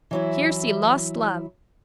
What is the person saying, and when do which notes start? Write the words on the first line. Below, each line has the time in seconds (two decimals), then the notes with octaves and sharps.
Here see lost love.
0.11 E3 F#3 E4